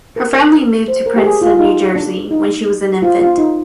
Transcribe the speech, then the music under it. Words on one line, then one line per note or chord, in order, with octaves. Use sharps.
Her family moved to Princeton, New Jersey when she was an infant.
A#4
C5
A#4
G4
G#4
F4
F4
D#4
D4
D#4
F4
F4
D#4